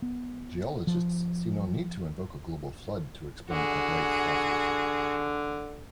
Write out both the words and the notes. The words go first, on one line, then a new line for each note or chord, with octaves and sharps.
Geologists see no need to invoke a global flood to explain upright fossils.
B3
F3
D3 F#4 G#4